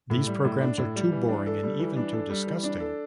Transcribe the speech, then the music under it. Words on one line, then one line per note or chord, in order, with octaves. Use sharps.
These programs are too boring and even too disgusting!
A2
G3
A2
D4
A2
G3
E3
D4
A4
G3
E3
D4
A4
G3
E3
D4
A4